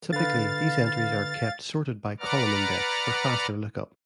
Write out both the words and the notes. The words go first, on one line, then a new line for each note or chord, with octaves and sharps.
Typically, these entries are kept sorted by column index for faster lookup.
D3 B4 F5 A6
B4 D5 F#5 A#5 D6 F6